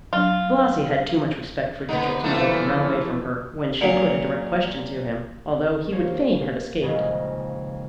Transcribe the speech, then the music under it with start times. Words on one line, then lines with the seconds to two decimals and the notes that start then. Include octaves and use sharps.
Blasi had too much respect for Dietrich's mother to run away from her when she put a direct question to him, although he would fain have escaped.
0.13 F#3 D4 F4
1.89 D3 B3 D#4
2.24 E3 F3 A3 A#3 D4
3.81 A#2 F#3
5.92 A#3 F4 G4 C5 C#5
6.82 D#1 F2 C#3 G#3